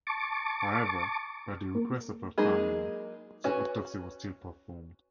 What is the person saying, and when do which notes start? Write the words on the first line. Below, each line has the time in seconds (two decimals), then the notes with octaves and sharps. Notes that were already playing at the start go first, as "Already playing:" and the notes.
However, by the request of her family, the autopsy was still performed.
0.07 A5 C#6 D6
1.75 A#3
2.38 F#3 G#3 A#3 D#4 G#4
3.44 C#4 F#4 B4 G#5